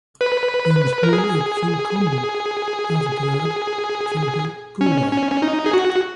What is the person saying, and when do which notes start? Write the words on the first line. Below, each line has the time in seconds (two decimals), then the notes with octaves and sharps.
He was born at Kilcommon, Oughterard, County Galway.
0.21 B4
1.03 A#4
1.13 G#4
4.81 C#4
5.12 C#4
5.31 C#4
5.42 D#4
5.66 G#4
5.73 F#4